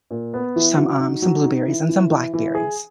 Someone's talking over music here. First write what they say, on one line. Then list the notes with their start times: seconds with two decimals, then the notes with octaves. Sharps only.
some um, some blueberries, and some blackberries,
0.11 A#2
0.34 B3
0.56 E3
0.77 F#3
0.99 D#4
1.22 F#3
1.44 D#4
1.67 E3
1.88 E3
2.11 E3
2.33 E3
2.55 G#4